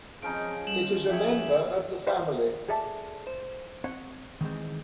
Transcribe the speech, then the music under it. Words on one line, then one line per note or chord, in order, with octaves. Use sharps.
It is a member of the family.
F2 F3 C#4 D#4 G#4 D7
G3 E7 F#7
F3 G4 G#4 C#5 E5
B4 C5 E5 F5 G5
G#4 A4 D5 E5 A5
C5
C4 C#5 F#5
D#3 E3 G#3 C4